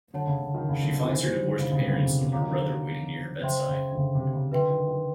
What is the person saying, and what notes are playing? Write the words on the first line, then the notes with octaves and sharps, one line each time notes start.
She finds her divorced parents and older brother waiting near her bedside.
D3 C#5 F#5 A5
C#3
C#3
D#3
C#3
D3
D3
E3
D#3
E3 D#4 G4 C5
D3
C#3
C#3
C3
D3
C#3
C3
C3
D3 C#5 F5 A#5 D6
D#3
D3
C#3 C5 E5 G5 C6
C#3
D3
C#3
C3
C#3
D3 B4 E5 G5 C6
D#3
D#3